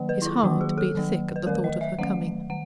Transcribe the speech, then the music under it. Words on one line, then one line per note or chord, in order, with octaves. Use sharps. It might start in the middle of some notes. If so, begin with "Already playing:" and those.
His heart beat thick at the thought of her coming.
Already playing: D#3 F#3 A#3
B4
E4
F4
D#3 F#3 A#3 F#4
G#4
A4
D#3 F#3 A#3
B4
D#3 F#3 A3 A#4
D#5
E5
D#3 F#3 A3 F#5
D#3 F#5